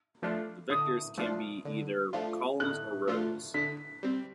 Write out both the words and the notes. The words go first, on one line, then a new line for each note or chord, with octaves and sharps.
The vectors can be either columns or rows.
F3 A3 D4 F4
D3 D#6
F3 A3 D4 F4
D3
F3 A3 D4 F4
D3 F#6
F3 A3 D4 F4
D3 B6
G3 C4